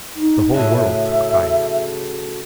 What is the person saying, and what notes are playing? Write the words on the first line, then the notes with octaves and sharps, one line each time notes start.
The whole world took fire.
D#4
A2 C#3 F#3 E5
E5